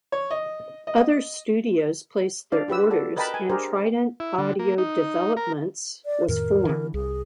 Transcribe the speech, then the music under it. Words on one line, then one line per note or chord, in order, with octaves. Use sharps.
Other studios placed their orders and Trident Audio Developments was formed.
C#5
D#5
D#5
D4 D5 F5
F4 G4 B4 E6
F#4 A4 D5
A#4 B4 D#5 G5 A5 B5
G#5
D4 G4 G#4 A#4 C5
E4
D3
A#3
D#4
A#4
D5
F2 A2 D#3 A#4
D3 E3
C2 G#4